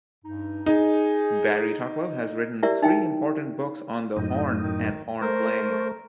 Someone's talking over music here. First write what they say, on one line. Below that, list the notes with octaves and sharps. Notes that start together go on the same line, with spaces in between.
Barry Tuckwell has written three important books on the horn and horn playing.
G2 D#4
D#4 G#4
E4 G4 A#4 D5 E5
D#4 E5 G5
F#2 A2 D#4
D#3
A3 A#4 C5